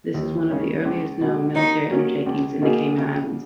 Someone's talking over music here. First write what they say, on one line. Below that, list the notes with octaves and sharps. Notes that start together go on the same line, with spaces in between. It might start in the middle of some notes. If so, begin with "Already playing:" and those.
This is one of the earliest known military undertakings in the Cayman Islands.
D#2
C#3 G#3 C#4
C#2
B2 G#3
D#3 D#4
F#3 A#3 C#4
C#2
B2 A#3 D#4 G#4
C#3